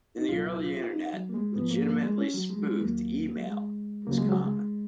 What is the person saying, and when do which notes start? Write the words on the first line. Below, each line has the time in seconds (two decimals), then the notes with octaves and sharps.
In the early Internet, "legitimately spoofed" email was common.
0.18 D#4
0.29 C#2 B2 F#3 F4
0.60 F4
0.77 F4
0.92 D#4
1.13 F#3
1.29 A#3
1.34 G#3
1.55 G#2 F3 B3
1.71 A#3
1.86 A#3
2.03 G#3
2.18 C#4
2.34 F#3
2.50 G#3
2.58 F#3
2.66 G#3
2.81 D#2 D#3 F#3 A#3
3.36 F#3
3.44 G#3
4.07 C#2 C#3 F#3 A#3
4.18 G#3
4.29 F#3
4.40 G#3